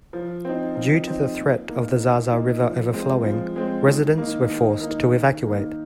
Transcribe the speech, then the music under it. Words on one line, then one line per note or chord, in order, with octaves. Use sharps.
Due to the threat of the Zaza River overflowing, residents were forced to evacuate.
F3
C4 D#4
F3
C4 D#4
A#2
A#3 D#4
A#2
A#3 D#4
F3
G#3 C4
F3
G#3 C4
D#3
A#3 D#4
D#3
A#3 D#4
D#3
A#3 D#4